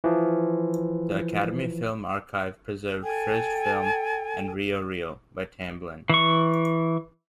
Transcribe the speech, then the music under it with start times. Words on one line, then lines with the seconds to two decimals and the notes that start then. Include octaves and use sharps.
The Academy Film Archive preserved "First Film" and "Rio Reel" by Tamblyn.
0.04 E3 F3
3.03 A4 G5 G#5
6.10 E3 C#6